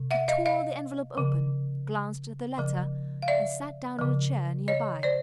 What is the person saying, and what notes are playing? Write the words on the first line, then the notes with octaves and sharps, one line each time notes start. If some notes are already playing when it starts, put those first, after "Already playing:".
He tore the envelope open, glanced at the letter, and sat down in a chair near by.
Already playing: C3
E5 F#5
D#5 F5
D#5 F5
C#3 F3
C#3 F3
F5
D5 E5
C#3 F3
C#5 D#5
C5 D5